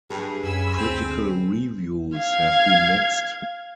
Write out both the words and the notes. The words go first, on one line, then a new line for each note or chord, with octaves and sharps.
Critical reviews have been mixed.
G2 G#4
F#2 C#3 G#5 B5 E6
D2 C4
F5 G#6